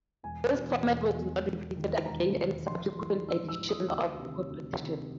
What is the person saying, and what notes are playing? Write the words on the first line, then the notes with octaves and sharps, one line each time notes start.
This format was not repeated again in subsequent editions of the competition.
E1 G#5
E2 B2
E1
E2 B2
E1
D#2 D#3
E1 A#5
D#2 D#3
A#1 C6
G#2 E3
A#1 E6
E6
G#2 E3
D#6
D2 E6
C3 D#3
D2
C3 D#3